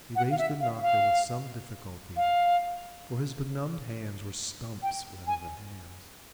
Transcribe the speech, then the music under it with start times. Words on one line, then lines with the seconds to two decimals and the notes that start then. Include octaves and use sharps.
He raised the knocker with some difficulty, for his benumbed hands were stumps rather than hands.
0.15 F#5
0.30 F5
0.38 E5
0.60 F5
0.82 F5
2.16 F5
4.82 G5
5.27 G#5